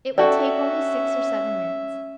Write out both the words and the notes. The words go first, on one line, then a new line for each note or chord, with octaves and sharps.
It will take only six or seven minutes.
C#4 F#4 A4 D5 E5 G5